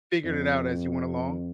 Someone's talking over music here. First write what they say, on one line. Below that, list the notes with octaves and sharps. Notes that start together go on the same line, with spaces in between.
figured it out as you went along?
F2